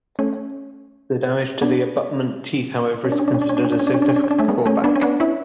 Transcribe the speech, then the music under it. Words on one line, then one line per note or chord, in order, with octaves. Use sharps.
The damage to the abutment teeth, however, is considered a significant drawback.
A3 C#4
B3 D4
C#4
D4
C#4
D4
C#4
D4
C#4
D4
C#4
D4
C#4
D4
C#4
D4
C#4
D4
C#4
D4
A3 C#4
G#3 B3
A3 C#4
B3 D4
C#4
B3 D4
C#4 E4